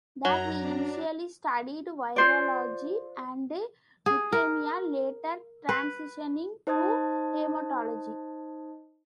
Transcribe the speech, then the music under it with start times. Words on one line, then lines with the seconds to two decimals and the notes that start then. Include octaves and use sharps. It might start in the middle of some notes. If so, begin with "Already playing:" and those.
There he initially studied virology and leukemia, later transitioning to hematology.
0.25 F#2 F#3 A#5
0.59 D4
2.16 F4 C5 D5
4.06 G#4
4.33 A#4
5.69 B4
6.67 D#4 C5 D#5 A5 D#6 G#6